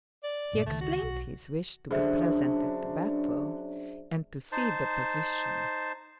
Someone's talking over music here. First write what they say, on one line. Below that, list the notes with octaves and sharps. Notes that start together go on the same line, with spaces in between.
He explained his wish to be present at the battle and to see the position.
D5
G2 A#2
C#2 D#3 A3
F#4
B1
D3 F#3 C#4 D4 G#4 C5 E5
D#4 C5 A5